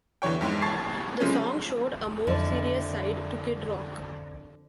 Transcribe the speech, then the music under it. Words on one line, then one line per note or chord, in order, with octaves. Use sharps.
The song showed a more serious side to Kid Rock.
E2 D3 E3 C#5 G5
F2 G#2 E3 G#3
A5 C#6 G#6 A6 C7
C#3 F3 G#3 A3 C4 C#4
F2 D3 D4 E4